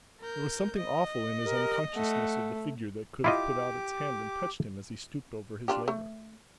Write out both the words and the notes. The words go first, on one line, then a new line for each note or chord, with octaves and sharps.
There was something awful in his unconsciousness of the figure that could have put out its hand and touched him as he stooped over his labour.
A#4 G6
D#5
G4 A#4
A3 F#5
E4 F4 G4 D#5 D6
D4 F4 G4
A3